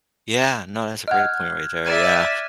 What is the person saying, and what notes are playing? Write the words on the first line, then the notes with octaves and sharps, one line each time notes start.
Yeah. No, that's a great point right there, yeah.
D#5 F#5 F6 F#6 G#6
D5 E5 G#6 D#7 E7